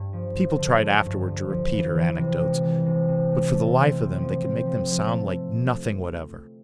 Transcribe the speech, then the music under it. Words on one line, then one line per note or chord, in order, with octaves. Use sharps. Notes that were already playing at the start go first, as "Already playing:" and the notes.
People tried afterward to repeat her anecdotes but for the life of them they could make them sound like nothing whatever.
Already playing: G2
F3
F3
D3
D3
G2
F3
F3
E3
E3
C3
G#3
E3
C3
C3
G#3
A3
C4
C4
F3
C4
F3
F3
A3